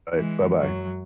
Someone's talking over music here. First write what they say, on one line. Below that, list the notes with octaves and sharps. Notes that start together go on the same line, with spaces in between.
Alright, bye-bye.
E3 G#3
F#2 F#3